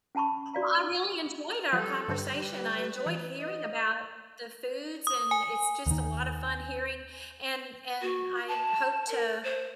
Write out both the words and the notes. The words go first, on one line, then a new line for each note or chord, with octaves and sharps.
Well, I really enjoyed our conversation. I enjoyed hearing about the foods, and it's just a lot of fun hearing and and I hope to,
C#4 F#5 A5 B5 C#6
F#4 D5 F5 A#5
F3 G3 A4
G2 D3 G3 B4
E3
D#5
D#6
G#5
D#2 D#3
F#4
A5
A#4
C5